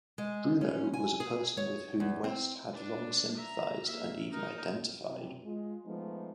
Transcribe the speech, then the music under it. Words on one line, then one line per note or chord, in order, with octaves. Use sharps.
Bruno was a person with whom West had long sympathised and even identified.
G#3
C#4
G#5
G#4
C#5
E2
C4
D4 B4
E5 A#5
A#3 E5
D#4 A#4
F#2 C3 E3
G#3 F4
F3 G#3 A3 B3 D#4